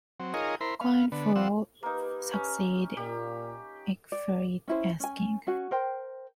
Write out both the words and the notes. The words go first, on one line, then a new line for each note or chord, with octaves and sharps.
Coenwulf succeeded Ecgfrith as king.
F#3 C4
D#4 F4 G#4 A#4 C#5 D#5
E4 A#4 C5 B5 C6
B3 F5
D3 B3
F3 C4 F#5 E6
A#3 D#4 G4 B4
C#4
A#2 G4
D5
C#4 E4 C5
C#4 G#5
C#4 F#4 F#5
A#4 C5 G5